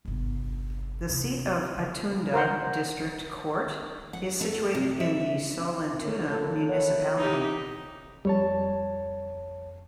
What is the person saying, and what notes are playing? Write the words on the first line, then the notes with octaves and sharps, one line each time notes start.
The seat of Attunda district court is situated in Sollentuna Municipality.
G1 C2
C3 F4
C#3
A#4 C5 F#5
F#5
A3
C3
E5
C4
A#4 C#5
F3 A#3 A4
E3 E4 C#5 F#5
D#4 G4
F2 G3 C#5 A5